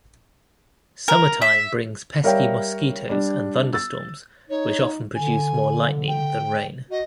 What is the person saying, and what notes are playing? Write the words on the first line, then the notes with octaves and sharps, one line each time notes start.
Summertime brings pesky mosquitos and thunderstorms which often produce more lightning than rain.
A#4
E5
G3 A#4 C#5 E5 F5 G5
G3 D4
E6 A6
D#4 C#5
D3 G#5
G5
F#4 D#5